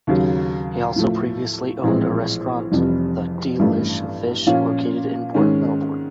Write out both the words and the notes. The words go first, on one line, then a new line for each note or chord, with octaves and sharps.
He also previously owned a restaurant, the "D'lish Fish" located in Port Melbourne.
D#2 C#3 F#3
A2 F3 A3
A#1 A2 E3 G#3 C4
F1 F2 C3 E3 G3
A1 G2 E3 A3
A#2 F3 A#3 C#4 F4
G#2 D#3 G#3 C#4